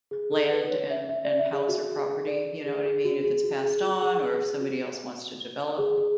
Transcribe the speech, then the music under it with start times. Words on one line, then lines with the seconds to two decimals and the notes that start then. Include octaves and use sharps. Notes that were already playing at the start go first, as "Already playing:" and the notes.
land, and and house or property, you know what I mean, if it's passed on or if somebody else wants to develop.
0.11 G#4
0.32 A4
0.50 B4
0.65 B4
0.70 C#5
0.90 E5
1.09 E5
1.25 D5
1.39 E5
1.53 G#4
1.69 F#4
1.98 G#4
2.27 D5
2.66 G#4
2.85 G#4
3.05 F#4
3.24 G#4
3.44 F#4
3.64 G#4
3.83 F#4
4.02 G#4
4.61 F#4
5.78 G#4
5.97 G#4